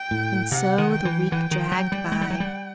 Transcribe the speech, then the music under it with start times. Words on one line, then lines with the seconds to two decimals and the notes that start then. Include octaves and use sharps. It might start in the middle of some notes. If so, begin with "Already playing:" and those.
And so the week dragged by....
Already playing: G5
0.11 A2
0.52 C3 F#5
0.78 D#3
0.91 G5
1.05 E3
1.31 E3 G5
1.51 D#3
1.72 F#3
1.92 G3
2.12 G#3
2.21 G3
2.30 F#3
2.40 G3